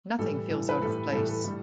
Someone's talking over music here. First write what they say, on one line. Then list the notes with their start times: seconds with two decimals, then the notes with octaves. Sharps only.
Nothing feels out of place.
0.19 A2 E3 G3 A4
0.50 A2 E3 G3
0.69 B4
0.82 A2 E3 G3 A4
1.12 A2 E3 G3 A4
1.29 A4
1.44 A2 G3